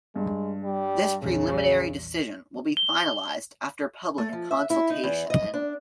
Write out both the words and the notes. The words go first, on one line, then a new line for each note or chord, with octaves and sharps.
This preliminary decision will be finalised after public consultation.
G2 G#3
G3
A#1 E2 C#3
G7
A3
F3
E5
E4
D#4
E2
D#5
D4